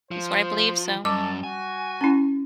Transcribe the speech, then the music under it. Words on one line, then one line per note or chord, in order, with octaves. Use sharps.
It's what I believe. So
F3 C5
F#2 G3 A5 D6
F#4 G#5
C#4 E4